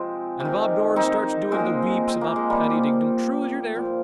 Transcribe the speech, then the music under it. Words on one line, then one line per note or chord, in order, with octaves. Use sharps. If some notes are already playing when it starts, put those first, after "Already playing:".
And Bob Doran starts doing the weeps about Paddy Dignam, true as you're there.
Already playing: C3 F3 G#3 C4
C3
D#3
C4 D#4
A#2 F3 G#3 C4
C4
A#3
G#3
G3 A#3
A#2 F3
A#2 F3